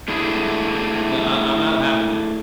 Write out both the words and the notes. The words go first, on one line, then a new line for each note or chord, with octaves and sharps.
n I I'm not having that."
A3 D4 E4 G#4